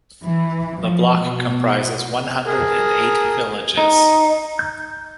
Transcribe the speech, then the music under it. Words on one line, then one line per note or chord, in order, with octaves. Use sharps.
The block comprises one hundred and eight villages.
E3
F3
B2
G#4 A#4
D#4
G6